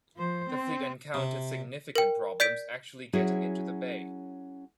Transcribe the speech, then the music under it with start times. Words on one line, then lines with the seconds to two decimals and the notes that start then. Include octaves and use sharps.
The fleet encountered significant problems actually getting into the bay.
0.17 F3 C5
0.50 C4
1.14 C3
1.95 A#4 G5
2.40 D5 G6 B6 D7
3.13 F#3 C#4 E4 F#4 G#4